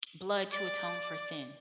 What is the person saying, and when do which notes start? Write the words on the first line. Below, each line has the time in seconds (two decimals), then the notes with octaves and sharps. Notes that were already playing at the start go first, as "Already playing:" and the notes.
blood to atone for sin.
0.51 D5